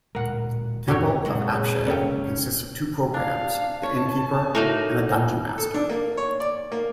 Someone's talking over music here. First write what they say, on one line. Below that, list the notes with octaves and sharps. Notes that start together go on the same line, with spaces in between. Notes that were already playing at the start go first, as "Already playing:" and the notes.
"Temple of Apshai" consists of two programs; the Innkeeper and the Dunjonmaster.
D1 A#2 G#3 A#4 F#5
D1 F2 C#4 F#4 G4 A4 C#5
A#2 C#3 F#3 G#3 C4
F1 C#2 A#3 C#4 A4 G5
D4 F5
C#5 A5
A2 A#3 D#4 F#4
A4
D4
A#3
C#5
D5
A#3